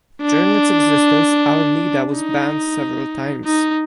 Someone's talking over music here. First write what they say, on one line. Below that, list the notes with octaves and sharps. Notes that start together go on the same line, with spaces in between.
During its existence "Al Nida" was banned several times.
D4
D#4
D#4